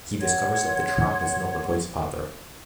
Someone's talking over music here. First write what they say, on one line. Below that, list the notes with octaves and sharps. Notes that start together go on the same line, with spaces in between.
He discovers that the Tramp is not the boy's father.
C#5 F#5 C6 G#6